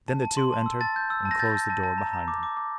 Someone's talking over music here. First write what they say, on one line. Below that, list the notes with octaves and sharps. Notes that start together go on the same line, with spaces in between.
Then the two entered and closed the door behind them.
A5
A5
C6
A5
E6
A5 A6
G6
E6
A5
A#6
G6 A6
A5
A5
A5
A#5
A#5
D6
D6
D6